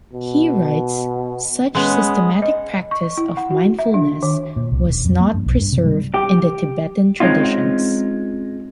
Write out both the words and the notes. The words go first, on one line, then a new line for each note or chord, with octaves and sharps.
He writes, such systematic practice of mindfulness was not preserved in the Tibetan traditions.
B2
G#3 B3 C#4
D#5
C#6
E4
F#5
F#4
E5
D4
D#3
A#2
C2
D#1
F2
A#3
G2
B1
G2
C3
G3
G4
G#3 C4 C#4 D#4 F4